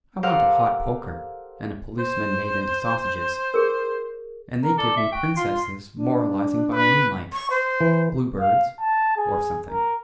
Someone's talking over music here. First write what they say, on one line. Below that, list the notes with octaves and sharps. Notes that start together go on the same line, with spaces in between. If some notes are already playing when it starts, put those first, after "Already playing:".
I want a hot poker and a policeman made into sausages, and they give me princesses moralising by moonlight, Blue Birds, or something.
G4 A4 A#4 C5 F5 F#5
C5
G#4 A#4
A#4
A4 D5
E5
F#4 G5
F4 C6
D4
B4
C#6
C5
E3
F5
A5
G#4
A#4